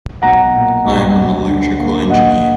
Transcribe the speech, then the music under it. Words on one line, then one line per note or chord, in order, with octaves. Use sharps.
I am an Electrical Engineer.
B1 F#5 A#5
A#2
B1
D2
D3
A#3
A#1 D#5 F#5